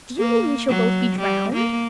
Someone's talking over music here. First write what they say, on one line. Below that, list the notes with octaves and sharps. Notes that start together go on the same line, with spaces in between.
"Do you mean we shall both be drowned?"
A#3
F#3
G3
A#3